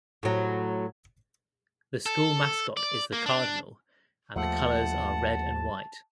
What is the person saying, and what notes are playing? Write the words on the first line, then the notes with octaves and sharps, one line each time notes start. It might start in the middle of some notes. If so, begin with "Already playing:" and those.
The school mascot is the Cardinal and the colors are red and white.
A2 F#3
A4
D5
A#3
D4
D#2 F3 A3 F#5 A5